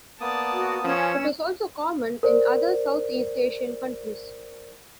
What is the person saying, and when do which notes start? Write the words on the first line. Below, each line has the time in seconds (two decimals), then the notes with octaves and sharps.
It is also common in other Southeast Asian countries.
0.21 A#3 B3 D5 A5 D#6
0.53 F#4
0.84 F3 C#4 B4 E6
2.23 A#4 C5 D5